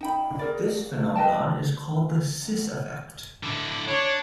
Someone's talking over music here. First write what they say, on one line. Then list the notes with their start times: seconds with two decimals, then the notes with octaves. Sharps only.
This phenomenon is called the "cis effect".
0.01 D#4 G5 B5
0.39 G#4 A#4 D5
1.15 B4 D#5 G5 A5
3.43 D3 E4
3.88 D4 C#5